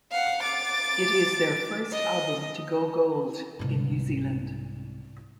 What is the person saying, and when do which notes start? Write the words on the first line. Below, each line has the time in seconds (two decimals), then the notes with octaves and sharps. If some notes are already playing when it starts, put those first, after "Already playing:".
It is their first album to go gold in New Zealand.
0.11 F5 F#5
0.43 D6 A6
1.92 D#5
3.59 C2 G#2